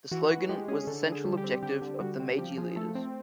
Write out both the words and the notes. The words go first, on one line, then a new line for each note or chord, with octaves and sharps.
The slogan was the central objective of the Meiji leaders.
E3 F#4
E3 F#4
G#3 G4
C#4 G#4
D3 A4
D3
G#4
G3
G4
C4
D3 G4
D3
G3 F#4
C4
F3 G4
F3 G#4
A3 A4
C4